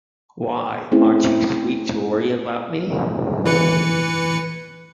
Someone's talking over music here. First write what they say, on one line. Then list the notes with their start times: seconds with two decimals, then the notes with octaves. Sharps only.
Why, aren't you sweet to worry about me!
0.92 A3 C4 C#4 E4 G#4
3.45 E3 B4 C#7